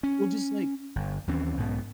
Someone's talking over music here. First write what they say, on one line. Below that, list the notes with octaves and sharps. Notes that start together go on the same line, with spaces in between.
Well, just like
C#4
G1
D#2 E3 C4 C#4
B1 G#2 B3